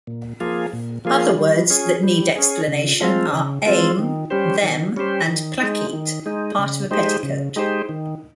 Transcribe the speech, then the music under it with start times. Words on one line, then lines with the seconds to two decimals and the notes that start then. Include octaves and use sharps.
Other words that need explanation are "ame" 'them' and "plack-keet", 'part of a petticoat'.
0.07 A#2
0.40 F3 A#3 F4 G#4
0.73 A#2
1.05 F3 A#3 F4 G#4
1.38 G3
1.70 C#4 G#4
2.03 G3
2.36 C#4 G#4
2.68 C#3
3.01 F3 G#3 C4 F4
3.33 C#3
3.66 F3 G#3 C4 F4
3.99 D#3
4.30 G3 C#4 G4 C5
4.63 D#3
4.96 G3 C#4 G4 C5
5.28 D#3
5.61 G#3 D#4
5.93 D#3
6.26 G#3 D#4
6.59 C#3
6.91 G#3 D#4 G4 C5
7.23 C#3
7.56 G#3 D#4 G4 C5
7.89 D#3